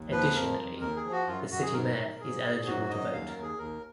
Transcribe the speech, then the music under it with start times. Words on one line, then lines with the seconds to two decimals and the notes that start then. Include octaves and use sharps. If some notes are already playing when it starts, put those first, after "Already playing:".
Additionally the city mayor is eligible to vote.
Already playing: D#2
0.11 F3 B4
0.35 F2 A#4
0.59 F2
0.81 D#2 A#4
0.96 G#4
1.05 F3
1.12 F#4
1.27 F#2 F4
1.50 F#2 F#4
1.62 G#4
1.73 G#2 A#4
1.97 G#2
2.20 G#2 G#4
2.43 G#2
2.66 F#2 F#4
2.90 F#2 D#5
3.13 D#2 F5
3.28 A#4
3.36 D#2
3.42 G#4
3.58 D#2 A#4